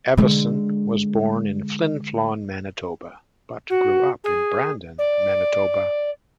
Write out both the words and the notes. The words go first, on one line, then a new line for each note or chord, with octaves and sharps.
Evason was born in Flin Flon, Manitoba, but grew up in Brandon, Manitoba.
D3 G#3
F#4
G#4
D5